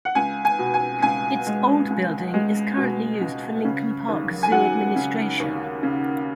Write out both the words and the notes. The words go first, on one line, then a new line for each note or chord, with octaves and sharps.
Its old building is currently used for Lincoln Park Zoo administration.
F#5
C#2 G#5
G#5
B2
G#5
C#2 G#5
G#3
C#2
G#3
B2
C#2
C#3
D#2
G#5
F#3 F#5
C#3
D#2
C#3